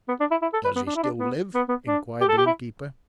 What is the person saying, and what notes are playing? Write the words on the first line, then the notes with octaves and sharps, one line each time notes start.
"Does he still live?" inquired the innkeeper.
B3
D4
E4
E4
A4
B4
B3
D4
E4
D4
B3
B3
B3
D4
G4
A4
G4
E4